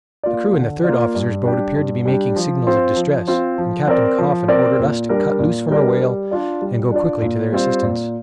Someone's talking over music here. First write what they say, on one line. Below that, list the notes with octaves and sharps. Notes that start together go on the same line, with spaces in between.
The crew in the third officer's boat appeared to be making signals of distress, and Captain Coffin ordered us to cut loose from our whale and go quickly to their assistance.
A#3 F4 D5
D3
A#3 F4 D5
G2
G3 D4 G4
G2
G3 D4 G4
F3
C4 F4 C5
F3
C4 F4 C5
F3
C4 A#4 D5
F3
C4 A#4 D5
A#2
G3 D4 A#4 D5
A#2
G3 D4 A#4 D5
G3
D4 F4 D5
G3
D4 F4 D5
A#2
G3 C4 F4 C5
A#2